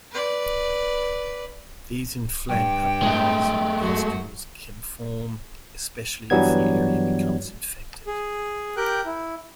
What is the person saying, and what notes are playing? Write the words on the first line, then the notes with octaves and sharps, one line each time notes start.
These inflamed papules or pustules can form especially if the area becomes infected.
B4 D5
G2 G5
G#3 A3
F#2 F#4
G2 E3 F#3 G3 B3 G#6
G#4
G4 A#4 G5 F#6
E4